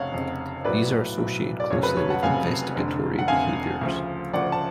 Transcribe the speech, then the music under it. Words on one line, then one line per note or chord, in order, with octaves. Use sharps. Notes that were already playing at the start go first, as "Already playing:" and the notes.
These are associated closely with investigatory behaviors.
Already playing: F1 F2 C#3 C#5 F5 F#5
F1 F2 C#3
B1 A2 F#3 B4 D5
B1 A2 F#3
D5
F1 F2 C#3 F#3 C#5
B4
C#5
F#5 A5
F1 F2 C#3 F#3 F5 G#5
F1 F2 D3
F#5
F1 F2 D3 F5 G#5
D2 C#3 F3
D2 C#3 F3 D5 F#5
A5